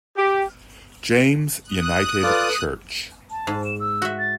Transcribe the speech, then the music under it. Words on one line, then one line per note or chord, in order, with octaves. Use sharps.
James United Church.
G4
D#6 F#6
F4 A4 B4 D5
A5
G#2
E7
E6
F#4 E5
A6